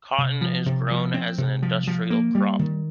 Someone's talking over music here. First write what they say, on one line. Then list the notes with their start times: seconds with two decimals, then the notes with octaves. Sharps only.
Cotton is grown as an industrial crop.
0.18 C3
0.41 F3
0.66 C3
0.91 F3
1.14 C4
1.38 C3
1.63 F3
1.87 F3
2.10 A#3
2.35 G3
2.59 D#3